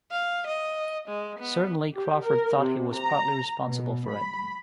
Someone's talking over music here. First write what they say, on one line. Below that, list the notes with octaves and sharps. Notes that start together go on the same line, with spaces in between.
Certainly Crawford thought he was partly responsible for it.
F5
D#5
G#3
B3
G4
A#4
C3
A#5
B2
B5